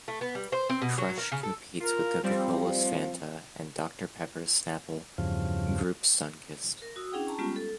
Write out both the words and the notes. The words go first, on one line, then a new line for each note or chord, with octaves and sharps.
Crush competes with Coca-Cola's Fanta, and Doctor Pepper Snapple Group's Sunkist.
A3
B3
G3
C5
C4
B2
F#3
A#4
C#3
A4
F4 A#4
F3 G3 C4
E2 G2 C#3 F3
A#4
F#4 D#6 E6
C#4 D4 E4 G#4 F#5 G5
A5 A#5 C#6
G3 G#3 B3 C#4 F4 G4
A4